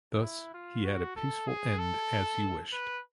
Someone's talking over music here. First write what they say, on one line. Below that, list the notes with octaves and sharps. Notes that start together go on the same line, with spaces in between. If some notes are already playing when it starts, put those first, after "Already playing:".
Thus, he had a peaceful end as he wished.
E4
F4
F#4
A4
G#4
A4
B4